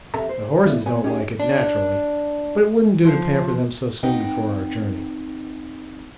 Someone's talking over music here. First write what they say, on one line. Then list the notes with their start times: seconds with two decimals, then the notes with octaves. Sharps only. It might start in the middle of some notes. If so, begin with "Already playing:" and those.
The horses don't like it, naturally, but it wouldn't do to pamper them so soon before our journey.
0.14 F2 C3 A4 E5 A5 A#5
0.29 C5
0.65 F3 B3 E4 D5
0.86 B3 C#5 G#5
1.04 C#4 D#4 G4 G#4
1.40 D4
3.05 F3
4.03 C4 D#4 B4 D#5 F#5 G5